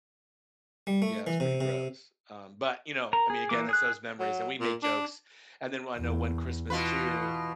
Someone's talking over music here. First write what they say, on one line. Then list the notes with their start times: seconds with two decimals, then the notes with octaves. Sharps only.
Yeah, it was pretty gross, um, but, you know, I mean, again, it's those memories, and we make jokes, and then one I know one Christmas, too,
0.87 G3
1.02 A3
1.27 E3
1.40 C3
1.61 C3
3.13 A#4 A#5
3.30 G#4
3.49 E3 A#3 D6
3.69 G#4 D#6 F#6
4.20 F#3
4.60 A#2
4.83 D4
5.98 E2
6.70 B2 E3 F4 B4